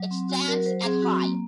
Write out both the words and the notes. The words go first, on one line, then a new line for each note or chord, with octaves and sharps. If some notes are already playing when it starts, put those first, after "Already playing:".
It stands at high.
Already playing: F#3
C4
F#4
F#3 A#4
F#3 C5
C4 G#4
F#3 F#4
A#3